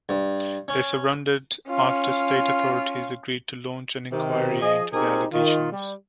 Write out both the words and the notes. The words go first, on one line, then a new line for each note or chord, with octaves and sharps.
They surrendered after state authorities agreed to launch an inquiry into the allegations.
G2
C#4
C#4 F4
C3 D#3
F3 G#4 D#5
C4 D#4 G4 G#4 A#4 C5
D#3 F4
G3